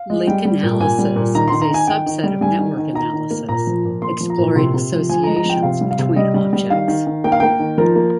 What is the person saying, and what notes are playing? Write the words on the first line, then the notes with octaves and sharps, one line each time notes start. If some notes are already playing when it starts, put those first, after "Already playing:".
Link analysis is a subset of network analysis, exploring associations between objects.
Already playing: F5
G#3
G3 G5
G3
A#2
A#2 G#5
G3
A#2
D#3 A#5
D#3 C6
A#5
D#3 G#5
D#3 G5
D#3
G3
G3 G#5
D#3
D#3
D#3 A#5
D#3
A#3
A#2 A#5
F3
A#2
A#3 C6
F3
A#5
A#2
C3 C6
C3
F3
F3 G#5
G#3 A#5
A#5
F3 G5
C3 F5
G3
F5
C3
G3 D#5
G3
G3
D#3 F5
D#3
D#3
A#3 G5
F5
A#3 G5
D#3
F3 A#4
A#3